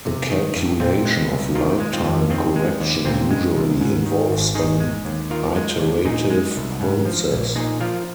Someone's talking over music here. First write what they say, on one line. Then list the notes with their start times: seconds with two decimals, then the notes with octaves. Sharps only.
A calculation of light-time correction usually involves an iterative process.
0.05 C3
0.30 D#3
0.55 F2
0.80 A#2 C4 F4
1.05 G#3
1.30 C2
1.55 D#3 F4 A#4
1.80 G#3
1.93 C4 F4
2.05 F2
2.30 D#3 C4 F4
2.56 G#3
2.80 D#2
3.05 A#2 C4 F4
3.31 G#3
3.55 C2
3.81 G#2
4.06 D#3
4.31 G#1
4.55 D#3 D#4 G#4
4.80 G#3
5.05 D#2
5.30 D#3 F4 A#4
5.56 G#3
5.80 D#2
6.05 A#2 D#4 G#4
6.30 G#3
6.56 C2
6.80 G#2
7.05 F3
7.31 A#1
7.56 A#2 D#4 G#4
7.81 F3 F4 A#4